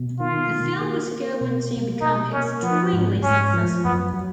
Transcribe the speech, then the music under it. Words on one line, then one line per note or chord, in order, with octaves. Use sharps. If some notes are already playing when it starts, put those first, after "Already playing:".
The film would go on to become extremely successful.
Already playing: B2
D#3 F4
D#3
A#3
A#3
B2
A#3
B2 D#4
A#3 C#4
F3 B3
G#2
G#2 C#4
F3
F#2 B3
F#3